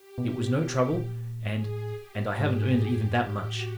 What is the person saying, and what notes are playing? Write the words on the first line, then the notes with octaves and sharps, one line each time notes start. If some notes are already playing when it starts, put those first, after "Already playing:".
'It was no trouble, and--and I haven't earned even that much.'
Already playing: G4
B2
A#2
A2 G#4
G4
G#2 G#4
F#2 G4
G2
A2 F#4